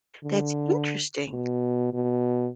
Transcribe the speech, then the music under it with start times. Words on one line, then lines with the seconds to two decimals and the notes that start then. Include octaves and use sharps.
That's interesting.
0.24 D3
1.34 B2
1.93 B2